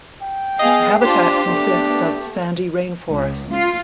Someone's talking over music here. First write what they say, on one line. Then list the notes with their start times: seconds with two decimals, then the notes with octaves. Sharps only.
The habitat consists of sandy rainforests.
0.22 G5
0.59 B3 G#4 D#5 F5
1.01 D4 F4 G4 C5
1.47 A3 B3 D4
3.09 C#2
3.51 F4